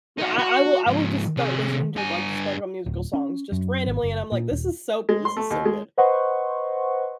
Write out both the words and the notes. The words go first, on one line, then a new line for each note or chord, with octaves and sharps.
No, I I will I will just start listening to, like, the SpongeBob Musical songs, just randomly, and I'm like, "This is so this is so good.
D#4 F#4
F#4
G#2 F3
C3 G#4
G2 G#5
D1
C#4
F#2
G#1
F#1
A#2
D#1
G#3
C6
A3
D#2
G#3
B4 C5 D#5 F#5 C6 C#6